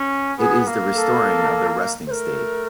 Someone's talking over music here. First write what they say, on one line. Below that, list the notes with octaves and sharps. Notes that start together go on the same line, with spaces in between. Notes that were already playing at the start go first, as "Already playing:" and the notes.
It is the restoring of the resting state.
Already playing: C#4
B3 G#4
A#3
A4
A3 A#4 C5